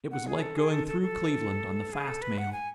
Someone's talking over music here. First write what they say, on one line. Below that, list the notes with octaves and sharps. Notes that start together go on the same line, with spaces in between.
It was like going through Cleveland on the fast mail.
F#5
G#4
A4
G#4
A4
A4
A4
G#4
A4
B4
F#5
G#5